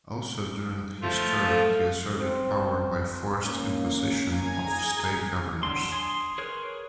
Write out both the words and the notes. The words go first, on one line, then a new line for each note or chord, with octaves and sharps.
Also during his term, he asserted power by forced imposition of state governors.
F3 A3 F4
A4
C4
A#3 C#4
G#5 A#5 G#6
G#4
F#3 D4 C6
G#4 C6
G#4 A#4 B4 C#5